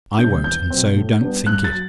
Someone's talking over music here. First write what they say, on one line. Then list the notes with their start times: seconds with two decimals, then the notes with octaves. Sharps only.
I won't, and so don't think it.
0.19 C3 G3 D4 G6
0.44 E2 G6
0.70 B2 F#3 C4
0.95 A2
1.21 G3 B3 D4
1.46 G2 F#6
1.64 A6
1.73 F#3